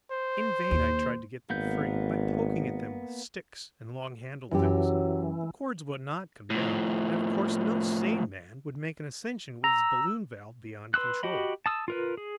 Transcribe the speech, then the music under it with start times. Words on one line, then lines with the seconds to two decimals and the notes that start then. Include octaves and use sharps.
In vain I tried to get them free by poking at them with sticks and long-handled things; the cords would not come down, and of course no sane man would make an ascension with his balloon-valve beyond control.
0.11 C5
0.71 D#2
1.50 G#1 A#3 B3 G6
4.52 F#2 E3 F#3 G4
6.50 A2 F3
9.64 A#5 E6
10.94 B4 C6 E6 F#6
11.23 F#4 G4 D#5 B5
11.66 A5 D#6 E6
11.88 F4 A#4 B4
12.17 G#4